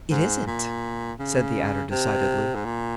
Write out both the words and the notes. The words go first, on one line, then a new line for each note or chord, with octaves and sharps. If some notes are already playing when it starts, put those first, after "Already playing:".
"It isn't," said the Adder decidedly.
G#2
A#2
C#3
C3
G#2
A#2